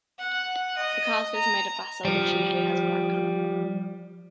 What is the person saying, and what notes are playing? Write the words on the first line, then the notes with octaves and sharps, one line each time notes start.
The castle is made of basalt which usually has black color.
F#5
D#5
A#5
F3 G3